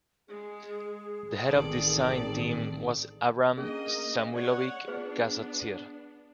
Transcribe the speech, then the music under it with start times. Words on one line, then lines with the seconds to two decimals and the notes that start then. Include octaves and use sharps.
The head of the design team was Abram Samuilovich Kassatsier.
0.28 G#3 G#4
1.44 A1 D#3 C4 A4 D5
3.57 A#3 C#4 D4 G#4 D#5
4.34 C#5 D5 F#5
4.88 B3 D4 F4 G#4 B4